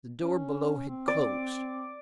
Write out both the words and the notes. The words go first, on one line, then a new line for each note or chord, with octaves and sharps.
The door below had closed.
C#4
C4
D5